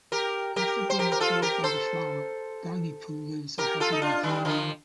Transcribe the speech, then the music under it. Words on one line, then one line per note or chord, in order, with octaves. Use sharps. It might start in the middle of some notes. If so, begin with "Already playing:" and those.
After being absorbed by the flower, Doggy Poo lives "a happy life".
G4 A#4
G4 A#4
C5
G4 A#4
A#4
F4 A4
G4 A#4
A4 C5
G4 A#4
F4 A4
D#4
D4 F4
D#3 G3
D3 F3